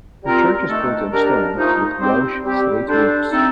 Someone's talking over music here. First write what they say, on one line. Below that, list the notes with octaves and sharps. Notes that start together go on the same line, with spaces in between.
The church is built in stone with Welsh slate roofs.
G3 C4 F4 A#4
D#3 A3 D4 A4
D#3 G3 D4 G4 A#4
F3 A3 D#4
G3 C4 G4 C5
G3 C4 G4
G3 D4 A4 C5
A3 C4 D#4 A4